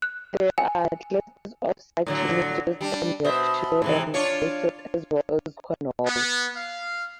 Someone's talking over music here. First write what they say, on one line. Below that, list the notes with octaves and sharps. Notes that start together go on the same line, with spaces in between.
There are 'clusters' of such images in Yorkshire and Dorset as well as Cornwall.
F#6
G#5
A2 D3 F#3
G3 D4
B2 C5 E5
G#2 C3 E3
D4 F4 C#5
B3
F5